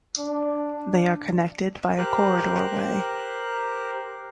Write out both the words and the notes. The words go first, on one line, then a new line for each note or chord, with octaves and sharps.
They are connected by a corridor way.
D4
G4 A#4 C5 F#6